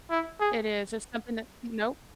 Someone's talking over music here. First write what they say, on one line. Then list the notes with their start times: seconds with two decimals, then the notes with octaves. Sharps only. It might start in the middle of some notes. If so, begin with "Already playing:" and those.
It is, it's something that nope.
0.11 E4
0.40 G#4